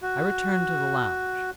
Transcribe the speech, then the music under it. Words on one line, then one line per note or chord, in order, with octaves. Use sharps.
I returned to the lounge.
F#4